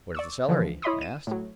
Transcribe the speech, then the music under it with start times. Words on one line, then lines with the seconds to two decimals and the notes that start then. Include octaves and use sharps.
"What is the salary?" I asked.
0.15 D5 C#6 E6
0.49 D3 E3 F3
0.82 E4 C#5 D#5 B5 C6 D#6
1.01 D#7 E7
1.27 A2 F#3